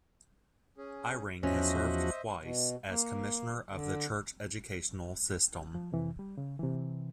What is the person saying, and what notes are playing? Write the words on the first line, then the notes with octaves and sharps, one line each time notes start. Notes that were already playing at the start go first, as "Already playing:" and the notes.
Eyring has served twice as Commissioner of the Church Educational System.
C#4 G#4
E2 F3 C#4 F#4 C5 D#5 E5
B2
A#3
D3
F3
F2 C3 E3
G3
C#3
C3 E3